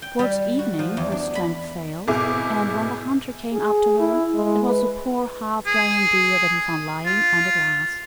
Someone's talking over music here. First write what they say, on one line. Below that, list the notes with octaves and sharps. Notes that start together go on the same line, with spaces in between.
Towards evening her strength failed; and when the hunter came up to her it was a poor half-dying deer that he found lying on the grass.
G5
G3
F#4
F3
E2
D4
B5
G#1 B2 E4 G#4 D6
G#4
E4
G#3
B4
G#4
F4